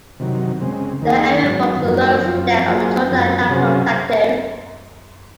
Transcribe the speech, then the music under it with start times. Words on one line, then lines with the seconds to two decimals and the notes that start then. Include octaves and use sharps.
The area forms the lowest step of the Chota Nagpur Plateau.
0.20 C3 D#3 F#3
0.60 C#3 G#3 C4
1.02 D#2 D#3 A#3 D#4 G#4
1.43 G#2 D#3 F#3 C4
1.84 F#2 F3 A#3 D#4 F#4
2.25 F#2 F3 C4 F4
2.67 F#3 A#3 F4 G#4 C5
3.08 F#2 F3 C4
3.49 C3 F#3 C#4 G#4 C5